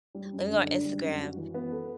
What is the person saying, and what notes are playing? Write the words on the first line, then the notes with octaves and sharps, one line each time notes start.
Lemme go on Instagram."
G3
F#2
D3
D4
G3
F#2
F#4
E3
B3
A4